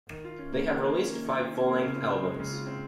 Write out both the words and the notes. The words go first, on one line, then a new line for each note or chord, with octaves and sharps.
They have released five full-length albums.
D#3
F4
C#4
A#3
D#3
F4
C#4
A#3
D#3
F4
C#4
A#3
C#3
F4
C4
G#3
C#3
F4
C4